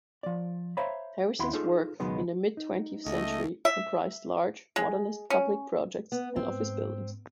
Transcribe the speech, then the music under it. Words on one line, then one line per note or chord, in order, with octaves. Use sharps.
Harrison's work in the mid-twentieth century comprised large, modernist public projects and office buildings.
F3 D5
C5 C#5 E5 F5 A#5 B5
D#2 E4 F#5 B5 C6
D#4 F4 G#4 A4
C#2 B2 D#3 F#3 G#3 B3
D#4
C#2 A3 D#5
E5
G#3
C#4
B3
G#2 C4